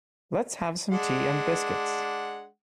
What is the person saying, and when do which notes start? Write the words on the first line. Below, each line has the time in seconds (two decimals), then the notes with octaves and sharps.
Let's have some tea and biscuits.
0.91 G#3 D4 F#5